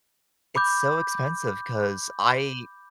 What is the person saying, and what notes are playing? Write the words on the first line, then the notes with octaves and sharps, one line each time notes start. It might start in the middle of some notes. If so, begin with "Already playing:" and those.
it's so expensive 'cause I
B5 D6 G6